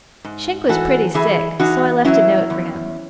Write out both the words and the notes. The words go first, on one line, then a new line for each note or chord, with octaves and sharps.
Schenk was pretty sick, so I left a note for him.
G#2
E3 F#4 A4
E3 E4 G#4
E3 D#4 F#4
F#3 C#4 E4
E2